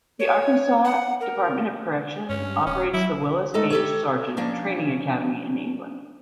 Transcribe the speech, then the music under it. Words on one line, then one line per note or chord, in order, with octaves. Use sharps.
The Arkansas Department of Correction operates the Willis H. Sargent Training Academy in England.
C#5
F#5
A#4
G2 C#4
D1 C#4
F#3 E4
G#3 A3 D#4 A4 A#4
G4 A4 C#5
F3 A#3 C#4 D4